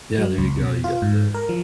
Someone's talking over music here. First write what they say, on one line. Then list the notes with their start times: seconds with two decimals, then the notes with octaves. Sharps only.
Yeah, there you go. You got the,
0.18 F#3
0.38 C#2
0.61 B2
0.84 F4
1.02 G#2
1.34 A#4
1.49 F3